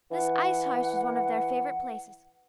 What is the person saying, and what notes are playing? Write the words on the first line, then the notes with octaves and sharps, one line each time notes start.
This ice-house was one of their favorite places.
E3 F#5